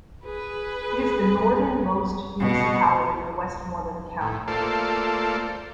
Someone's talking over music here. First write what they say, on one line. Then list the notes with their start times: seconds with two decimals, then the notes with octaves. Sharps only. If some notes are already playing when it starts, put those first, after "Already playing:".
It is the northern most municipality of Westmoreland County.
0.25 G#4 B4
2.40 B2
4.21 A2
4.48 A3 A#3 F4 A4 C5 D5